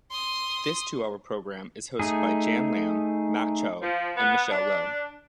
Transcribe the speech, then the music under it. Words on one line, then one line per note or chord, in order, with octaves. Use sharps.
This two-hour programme is hosted by Jan Lamb, Matt Chow and Michelle Lo.
C6 D#6
A3 D#4 G#4
F3
B3
D4